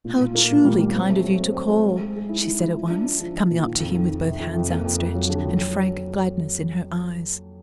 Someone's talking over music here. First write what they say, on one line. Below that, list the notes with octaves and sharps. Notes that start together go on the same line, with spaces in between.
"How truly kind of you to call!" she said at once, coming up to him with both hands outstretched and frank gladness in her eyes.
A#2
A#2
A#3
A#2
G3
G3
C4
A3
F#3
C4
C4
A3
G#3
G#4
G#4
E4
E4
E4
F3
D4
D4
F3
F3
A#2
D#3
F2
D#3
D#3
C3
F2
F2
A#3
F2
F2
F#3
D3
F#3
F#3